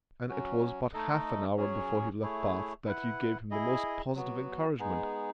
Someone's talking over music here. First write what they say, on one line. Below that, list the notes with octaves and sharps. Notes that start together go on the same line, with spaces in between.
And it was but half an hour before he left Bath that you gave him the most positive encouragement.
F#3 C#4 F#4
A3 D#4 A4 D#5
F#3 C#4 G#4 C#5
A3 E4 G#4 C#5
E4 B4 F#5
E4 G#4 D#5
F#3 B3 F#4
G#3 B3 D#4 G#4